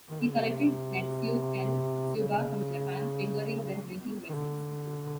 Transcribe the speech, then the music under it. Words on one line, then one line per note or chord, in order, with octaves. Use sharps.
He collected "netsuke" and "tsuba" from Japan, finger rings and drinking vessels.
D#3
D3
C#3
C3
C#3
D#3
D3